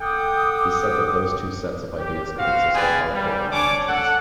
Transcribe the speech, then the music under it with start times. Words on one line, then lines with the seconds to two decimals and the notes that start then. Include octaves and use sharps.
He said that those two sets of ideas could exist in all four combinations.
0.01 A4 F#5 G5 D6 D#6
1.98 G4
2.37 C4 F#4 F5
2.73 C4 G#4 B4 D5 G#5
3.13 G3
3.51 D4 C#5 G#5 D6
3.88 A4 F#5